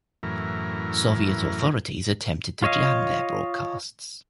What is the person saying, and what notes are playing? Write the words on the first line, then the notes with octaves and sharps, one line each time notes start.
Soviet authorities attempted to jam their broadcasts.
F#2 A2 E3 A#4
F4 C#5 D#5 F5